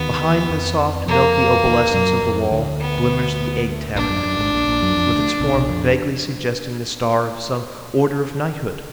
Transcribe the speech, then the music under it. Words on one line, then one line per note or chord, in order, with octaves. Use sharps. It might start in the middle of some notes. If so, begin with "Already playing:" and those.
Behind the soft, milky opalescence of the wall glimmers the egg- tabernacle, with its form vaguely suggesting the star of some order of knighthood.
Already playing: D#2 D#3 B3
F2 F3
F2 F3 A#3
D#2 D#3
F#2 F#3
F2 F3
D2 D3
B3
A#1 A#2 D4
F#2
F#2
G#1 G#2
A#1 A#2
A#1 A#2
F#2 F#3
F2 F3
D2 D3
B1 B2
B1 B2
F2 F3